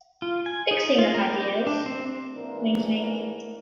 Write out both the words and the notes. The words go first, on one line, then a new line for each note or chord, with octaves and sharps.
Fixing up Ideas.
F4
G#5
D#4
F4
A#4
G4
D4
C4
G#2 E3 A#3 D4 G#4 A#4